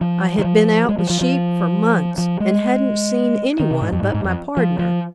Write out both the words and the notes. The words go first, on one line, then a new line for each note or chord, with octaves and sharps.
I had been out with sheep for months and hadn't seen any one but my pardner.
F3
D#3
F3
G#3
F3
F3
F3
F3
G#3
D#3
C3
G#2
F2
G#2
G#2
F2
F3
F3